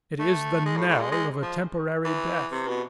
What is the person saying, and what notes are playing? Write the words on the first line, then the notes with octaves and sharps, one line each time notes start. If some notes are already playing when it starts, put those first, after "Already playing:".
It is the knell of a temporary death.
A3
G#3
A2
A2
G#3
G#3
F3
E3
C3
B2